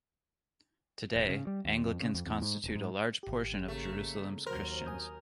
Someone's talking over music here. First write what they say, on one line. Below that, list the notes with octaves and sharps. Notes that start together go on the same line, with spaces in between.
Today, Anglicans constitute a large portion of Jerusalem's Christians.
E1
C#3
G3
D#2
F2
C#3
F2
E2
G#2
D1
G#2
G#1 G4
C#3 A3 A#3
D#2 F#3 A#4 C5
G#5 D#6 G6